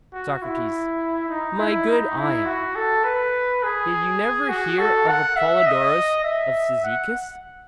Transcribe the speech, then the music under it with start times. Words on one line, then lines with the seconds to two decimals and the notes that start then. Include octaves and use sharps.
SOCRATES: My good Ion, did you never hear of Apollodorus of Cyzicus?
0.13 F#4
0.42 E4
1.29 D#4
1.59 E4
1.88 D#4
2.17 E4
2.45 F#4
2.75 A4
3.04 B4
3.63 G#4
4.49 F#4
4.79 A4
5.08 F#5
5.36 E5
5.66 D#5
6.24 E5
6.83 F#5